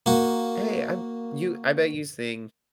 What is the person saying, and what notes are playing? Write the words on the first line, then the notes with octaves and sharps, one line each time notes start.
Hey, I'm you I bet you sing
A#3 F#4